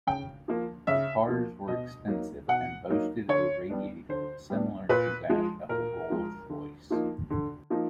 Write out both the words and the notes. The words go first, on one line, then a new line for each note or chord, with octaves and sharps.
The cars were expensive and boasted a radiator similar to that of the Rolls-Royce.
C#3 G5
F3 A#3
C#3 E5
F3 A#3
B2 D#5
F#3 A#3 D#4
B2 F#5
F#3 A#3 D#4
D3 C#5
G3 B3 D4
D3 C5
G3 B3 D4
A#2 B4
F3 G#3
A#2 A#4
F3 G#3
D3
F3 A#3 D#4
D3
F3 A#3 D#4